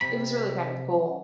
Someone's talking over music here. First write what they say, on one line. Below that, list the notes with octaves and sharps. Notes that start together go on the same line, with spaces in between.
it was really kind of cool.
C3 B5